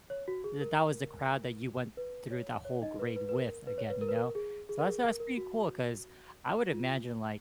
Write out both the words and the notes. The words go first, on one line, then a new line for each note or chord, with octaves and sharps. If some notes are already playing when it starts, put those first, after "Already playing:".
that that was the crowd that you went through that whole grade with, again, you know? So, that's a that's pretty cool 'cause I would imagine, like,
C#5
F#4
G#4
A#4
B4
C#5
C#5
D#4 D#5
B4
B4
B4
A#4
B4
C#5
B4
A#4
B4
A#4
G#4
G#4
A#4
G#4
A#4
A#4
F#4
F4